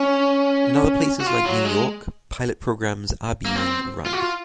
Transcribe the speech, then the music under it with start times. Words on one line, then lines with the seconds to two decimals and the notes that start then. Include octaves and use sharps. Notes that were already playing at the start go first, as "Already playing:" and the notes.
In other places like New York pilot programs are being run.
Already playing: C#4
1.20 F#4
1.26 F4
1.45 F#3
1.65 G#3
3.46 A#3
3.55 C4
4.06 F4
4.13 F#4
4.20 F4